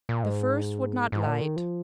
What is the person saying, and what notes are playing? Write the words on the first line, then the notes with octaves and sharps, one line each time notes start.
The first would not light.
A#2
G#2
G#2
A#2
D#3
F3